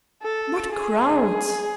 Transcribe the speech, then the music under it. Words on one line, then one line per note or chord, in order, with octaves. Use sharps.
What crowds!
A4
G#4